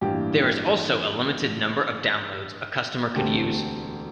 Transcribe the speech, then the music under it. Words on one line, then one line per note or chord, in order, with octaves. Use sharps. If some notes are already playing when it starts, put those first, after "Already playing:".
There is also a limited number of downloads a customer could use.
A1 G2 E3 A#3 G4
E1 D2 D3 A3 C4 G4